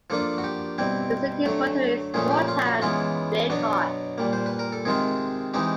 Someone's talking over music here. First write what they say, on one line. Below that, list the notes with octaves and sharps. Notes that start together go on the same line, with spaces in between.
The city's motto is Small town; Big heart.
F3 A#3 D4 F4 A4
F#4
G4
B2 G3 C4 E4
D3 F#3 A3
A#2 F3 A3 C#4 G#4
G4
F4
F#4
C#3 E3 G#3 B3 E4 F4
B2 F#3 B3 D4 F#4
A#2 G3 A#3
C5
B4
A#4
A4
C3 D#3 G#3 C4 F4 G#4
E3 G#3 C4 D#4 G4